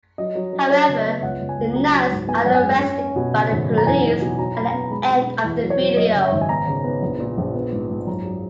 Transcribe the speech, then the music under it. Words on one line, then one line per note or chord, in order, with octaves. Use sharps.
However, the nuns are arrested by the police at the end of the video.
F#3 D#5
F#3
F#3
F#3 C#5
C#3
D#5
B3
E5
C#2 F#5
C#2
G#5
C#2
F#3 A#5
F#3
G#2
B3 G#5
F#2 F#5
G#5
G#3
C#4
C#4
B2
C#3
G#1
F#2
A#5
E2 G#5
D#4
B2
F#3 A#5
F#3 B5
A#5
B3
G#3 B5
B2
B3
E2
F#3
C#5
F#3
F#2 D#5
C#3
E5
G#1
G#5
B3 A#5
C#3
B3
A#1
A#2
A#1
B3
G#2
G#2
F#2 A#5
F#3